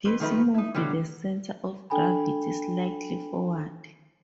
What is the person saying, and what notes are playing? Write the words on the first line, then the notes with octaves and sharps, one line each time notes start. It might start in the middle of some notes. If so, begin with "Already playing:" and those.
This moved the center of gravity slightly forward.
F2 B4
D#3 F3 A3 D#4 B4
D#4 E4
B2 D3 F#3 G3
D4 A4 G5 G#5 B5